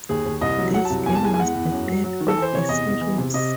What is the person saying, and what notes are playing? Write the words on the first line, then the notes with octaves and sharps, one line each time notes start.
This game was the third of the series.
D#2 G#4
D#2
C2 D#5
F#3
F#3 F#5
A5
C2
E2 G#5
A5
G#3 G#5
G#5
E2 F#5
E2
F#2
F#3
F#3
D#3
A4
E3
C5
C3 C#5
E2 D#5
E2
E3
C3
C3 D#5